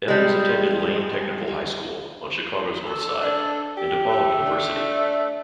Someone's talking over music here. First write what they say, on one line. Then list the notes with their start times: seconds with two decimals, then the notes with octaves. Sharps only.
Evans attended Lane Technical High School on Chicago's North Side and DePaul University.
0.08 G3 G#3
2.87 A4
3.22 D4
3.77 G4
4.09 A3
4.46 D4